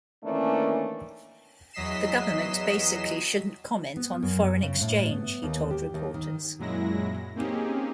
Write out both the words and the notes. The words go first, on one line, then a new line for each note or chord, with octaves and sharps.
The government basically shouldn't comment on foreign exchange, he told reporters.
D#3 E3 A3 A#3 C#4 D4
E2 F#3 D#5 B6 C7 E7
B3
F#2
C#3
A2
B3
D#2
G4
D#2
D#3
F#2 A#2 F#3 G#3 E4 A#6
A#3 C4 C#4 D#4 G4 G#4